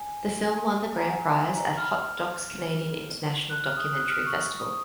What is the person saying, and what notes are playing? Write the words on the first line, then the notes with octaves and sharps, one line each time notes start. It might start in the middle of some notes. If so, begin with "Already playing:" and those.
The film won the grand prize at Hot Docs Canadian International Documentary Festival.
Already playing: G#5
G#5
A#5
G#5
F#5
G#5
A#5
F6
F#6
F6
D#6
F#6
F6
C#6
C#6
D#6